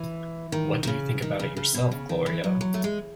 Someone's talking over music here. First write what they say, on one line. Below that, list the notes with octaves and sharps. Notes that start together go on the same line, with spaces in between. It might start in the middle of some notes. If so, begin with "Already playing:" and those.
What do you think about it yourself, Gloria?
Already playing: E3
D#3
D#3
C#3
D#3
C#3
C#3
B2
C#3
D#3
E3
F#3
F#3
A3
G#3